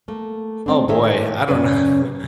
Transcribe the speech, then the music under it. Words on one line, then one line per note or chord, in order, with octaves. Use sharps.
Oh, boy. I don't kn
A3 A#3
A3 C4 D4
A2 D#3 G#4 C#5 D#5 E5
F#2 C#3 C#4 B4 D5